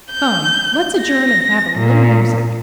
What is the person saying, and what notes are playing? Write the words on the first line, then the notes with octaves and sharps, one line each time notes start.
"Come, let's adjourn and have a little music."
G6
A#6
A#2